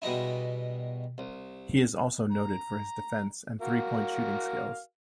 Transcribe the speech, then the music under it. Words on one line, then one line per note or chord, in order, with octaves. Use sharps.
He is also noted for his defense and three point shooting skills.
B2 G3 G#3 D#4 E4
C2
A#5
F#4 A#4 F5